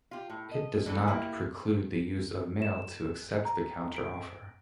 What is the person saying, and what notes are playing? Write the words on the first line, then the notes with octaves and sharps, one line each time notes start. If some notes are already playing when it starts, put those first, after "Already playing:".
It does not preclude the use of mail to accept the counteroffer.
F4 G4
A2
D#5
D3 E3 B3 A4
A#3 E4 G4
E7
A#5
D7